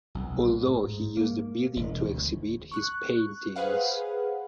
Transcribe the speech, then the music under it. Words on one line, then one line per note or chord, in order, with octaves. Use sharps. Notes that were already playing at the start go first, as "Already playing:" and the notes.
Although he used the building to exhibit his paintings.
B1
G2
A2
G#2
A#3
E1
D2
C#6 F#6
G#4 B4 C5 F5 F#5